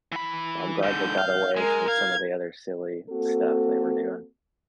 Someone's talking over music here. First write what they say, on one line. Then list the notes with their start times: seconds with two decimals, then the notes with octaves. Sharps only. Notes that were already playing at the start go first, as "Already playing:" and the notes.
So I'm glad they got away from some of the other silly stuff they were doing.
0.12 E3 B5
0.83 G#2 D3 G6
1.18 F5
1.57 G#3 A#4 G#5
1.88 F5 G#6
3.10 A#3 C4 F#4 A4